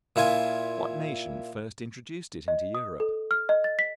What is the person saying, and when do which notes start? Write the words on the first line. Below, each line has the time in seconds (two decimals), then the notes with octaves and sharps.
What nation first introduced it into Europe?
0.16 A#2 E4 F4 G#5
2.48 D#5
2.75 D#6
3.00 A4
3.31 F6
3.49 D#5
3.64 A6
3.79 B6